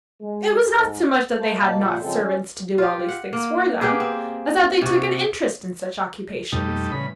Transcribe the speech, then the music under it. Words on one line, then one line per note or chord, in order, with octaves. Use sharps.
It was not so much that they had not servants to do all these things for them, as that they took an interest in such occupations.
G#3
G#2
A#4 C5 F5 A5
B2 A#3 A5
A#2 F3 G3 C5 E5 F#5
C#3 F3 G#3 C4 A4
C#4
F4 G4
F#5
A#3
A#3 B3 G4 G#4
C4
C3 F#4
F2 B2 G3 A3 D#4
A2 C#3 E3 G3 B5